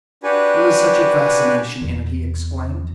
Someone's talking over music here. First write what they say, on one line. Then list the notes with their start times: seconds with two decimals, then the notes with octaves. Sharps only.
"There is such a fascination in it!" he exclaimed.
0.23 D4 F#4 G4 B4 G#5
1.81 E2